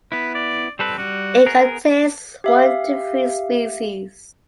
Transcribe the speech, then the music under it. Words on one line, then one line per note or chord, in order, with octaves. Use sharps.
It contains one to three species.
B3 E4 B4
D5
G3 C4 A4 B4
G3 F#4
B3 G#4 A#4
G4 E5 F5